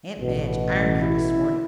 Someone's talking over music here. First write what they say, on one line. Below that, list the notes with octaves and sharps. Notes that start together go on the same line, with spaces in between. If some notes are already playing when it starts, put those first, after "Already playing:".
"Aunt Madge ironed it this morning."
A1 B2
E4